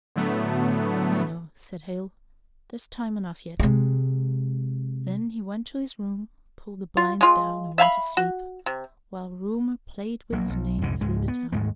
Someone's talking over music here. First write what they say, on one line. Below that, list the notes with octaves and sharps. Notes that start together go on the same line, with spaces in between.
"I know," said Hale, "there's time enough yet." Then he went to his room, pulled the blinds down and went to sleep, while rumour played with his name through the town.
A2 D3 F#3 A3 B3
C3 G#3
F4
G#3 F4
E5 F5 G#5 B5
F#4
C3
A#1 F#3 A#3
B1
C2 F2 G#2 D3
C#2 G#2 G#3
B3
D#2 G#2 G#3 A3